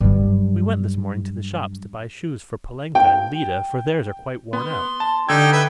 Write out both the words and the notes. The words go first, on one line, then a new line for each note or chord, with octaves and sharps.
We went this morning to the shops to buy shoes for Polenka and Lida for theirs are quite worn out.
G2 F#3
G5
B3 C6
A5
D3 D#4 G4 G5 E6 G#6
B4 E5 G5